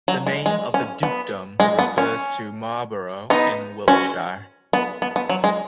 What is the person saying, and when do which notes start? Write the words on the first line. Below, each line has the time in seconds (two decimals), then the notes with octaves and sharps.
The name of the dukedom refers to Marlborough in Wiltshire.
0.08 F#3
0.27 G#3
0.46 G#3
0.74 C#4
1.03 B3
1.60 G#3
1.79 B3
1.98 C#4
3.30 B3 D#4
3.88 C#4 F#4
4.73 B3
5.02 B3
5.16 B3
5.30 F#3
5.44 G#3